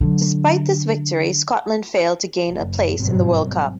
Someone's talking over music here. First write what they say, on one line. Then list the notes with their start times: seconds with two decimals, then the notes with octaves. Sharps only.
Despite this victory, Scotland failed to gain a place in the World Cup.
0.01 D3 F#3
2.48 F#1 F#2
2.98 G#1 G2 B2 F#3 C4